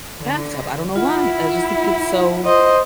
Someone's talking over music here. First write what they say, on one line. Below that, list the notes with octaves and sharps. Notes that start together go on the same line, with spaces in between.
bathtub." I don't know why. I just think it's so
D3
E4 F4 F#5
C5 D#5